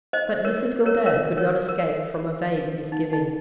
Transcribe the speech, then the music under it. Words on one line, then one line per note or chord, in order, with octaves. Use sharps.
But--Mrs Gildea could not escape from a vague misgiving.
C5 D#5
A#4 C#5
A#4 C#5
A#4 C#5
A#4 C#5
A#4
D#4
D#4